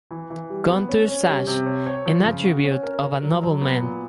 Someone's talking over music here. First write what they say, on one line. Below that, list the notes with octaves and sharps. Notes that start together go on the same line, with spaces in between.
Kontush Sash an Attribute of a Nobleman.
E3
E3
G3
B3
C#4
C#4
G3
C3
C#5
C#5
F3
C#3
F#4
C#4
A#4
A#4
F#3
F#3
B3
A#2